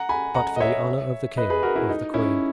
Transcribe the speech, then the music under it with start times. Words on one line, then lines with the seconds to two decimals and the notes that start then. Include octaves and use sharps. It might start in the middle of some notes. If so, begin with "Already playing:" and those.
"But for the honor of the king--of the queen."
Already playing: F#5 A#5
0.09 G#5 B5
0.35 F#5 A#5
0.56 D#5
0.60 C#5 E5
1.37 B4 D#5
1.50 G#4 B4
1.63 F#4 A#4
1.76 E4 G#4
1.89 D#4
2.14 C#4 E4